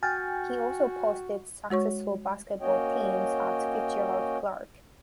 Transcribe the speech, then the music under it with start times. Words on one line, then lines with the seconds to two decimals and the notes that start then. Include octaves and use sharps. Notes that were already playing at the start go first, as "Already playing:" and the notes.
He also posted successful basketball teams at Fitzgerald-Clarke.
0.03 F#4 G5 G#5 F6 G6 A6
1.70 G#3 F#4 C#5 C#6
2.61 A#3 C#4 F#4 C#5 D#5 G5